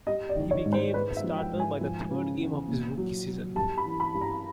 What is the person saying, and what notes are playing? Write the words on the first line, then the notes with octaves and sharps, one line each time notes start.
He became a starter by the third game of his rookie season.
G3 D#5
D5
D#3
C#5
G#2
C5
G#3 B4
E5
F3
G5
G#2
G#5
F3
C#3
E2
A#2
F#3
F#3
G3 A5
B5
E3
B5
G2
A#5